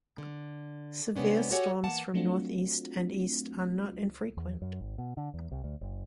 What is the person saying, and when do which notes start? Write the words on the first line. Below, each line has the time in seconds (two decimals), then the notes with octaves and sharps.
Severe storms from northeast and east are not infrequent.
0.18 D3
1.16 C3 G#3 B3 C#4 D4
1.51 F#4 G4 A4 C#5 F#5 G#5
1.83 E3 A#3 F#5 A5
2.14 F#3 A3 C4 D4 F4 F#4
4.37 E2
4.62 F#2
4.81 G#1
4.98 B2
5.17 D3
5.34 E2
5.51 C2
5.64 D2
5.81 F#1